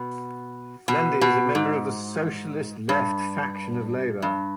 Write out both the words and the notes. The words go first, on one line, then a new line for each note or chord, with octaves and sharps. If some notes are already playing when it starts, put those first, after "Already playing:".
Lundy is a member of the Socialist Left faction of Labor.
Already playing: B2
B2
B2
G#2
G2
G2